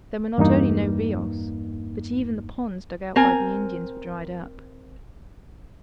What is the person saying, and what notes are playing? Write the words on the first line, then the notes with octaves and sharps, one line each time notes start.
There were not only no RIOS, but even the ponds dug out by the Indians were dried up.
E2 G2 A#3 D#4
C4 A#4 G#5